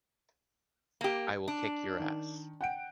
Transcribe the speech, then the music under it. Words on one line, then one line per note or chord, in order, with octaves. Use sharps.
I will kick your ass.
A#3 G4
D4
D#3
F#5 G5 D7